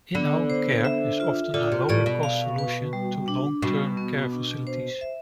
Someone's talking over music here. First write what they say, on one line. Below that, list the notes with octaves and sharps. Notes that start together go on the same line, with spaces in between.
In-Home Care is often a lower cost solution to long-term care facilities.
D3 B3
C5
E5
F4
D3 F4
C3
A2 D5
B2
F5
B4
G3
D4
B2 G3
B3
D4
C5
E5